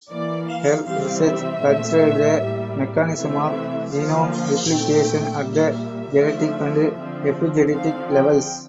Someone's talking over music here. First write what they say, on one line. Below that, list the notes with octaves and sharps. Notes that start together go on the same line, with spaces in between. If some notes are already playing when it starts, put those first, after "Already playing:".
Her research considered the mechanisms of genome replication at the genetic and epigenetic levels.
E3 A#3 D5
F5
C3 E3 G3 C4 F5
E5
A#2 A3 C4
A2 G3 A#3
C3 E3 A3 C4 E5
D3 F3 A#3 F5
A#2 A3 C4 G5
A#2 G3 A#3 E5
D3 F3 A3
D3 F3 C4
D3 F3 C4 F5
G5